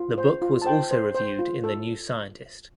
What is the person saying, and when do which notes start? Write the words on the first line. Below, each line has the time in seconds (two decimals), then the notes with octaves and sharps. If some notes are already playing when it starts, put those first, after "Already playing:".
The book was also reviewed in the "New Scientist".
Already playing: F4
0.18 C5
0.42 F4
0.62 A5
0.66 C5 G5
0.91 C5
1.15 C5
1.39 F4
1.64 A4